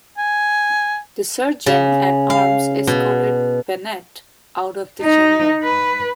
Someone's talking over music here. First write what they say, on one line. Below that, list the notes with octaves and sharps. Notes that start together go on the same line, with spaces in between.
The Sergeant at Arms escorted Bennett out of the chamber.
G#5
C#3
F5
B2
D#4
B4